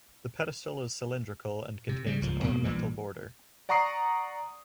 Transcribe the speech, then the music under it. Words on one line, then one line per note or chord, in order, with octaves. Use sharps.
The pedestal is cylindrical and contains an ornamental border.
C3
C#3 G3
C#2 F3
F2 B2 A#3
A#1 A#2 E3 G3
D5 F#5 A#5 C#6 D#6 C7